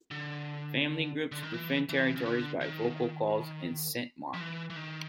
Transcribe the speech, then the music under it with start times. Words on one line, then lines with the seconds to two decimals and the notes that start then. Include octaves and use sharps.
Family groups defend territories by vocal calls and scent marking.
0.11 D3
1.32 D3
1.43 D#3
1.54 E3
1.89 E3
2.16 C#3
2.26 D3
2.61 D#3
4.34 F3
4.40 E3
4.70 E3
4.76 D#3